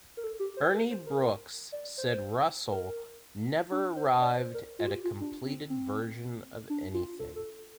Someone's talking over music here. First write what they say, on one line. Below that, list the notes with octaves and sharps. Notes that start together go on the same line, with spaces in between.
Ernie Brooks said Russell never arrived at a completed version of anything.
A#4
A4
G4
C5
A#4
C5
A#4
D5
C5
A#4
D4
C5
D5
C5
A#4
F4
G4
F4
D4
C4
C4
D4
F4
A4
A4